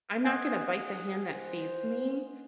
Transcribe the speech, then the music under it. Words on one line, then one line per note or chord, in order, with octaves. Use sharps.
I'm not gonna bite the hand that feeds me.
D#5 F#5 G#5
C5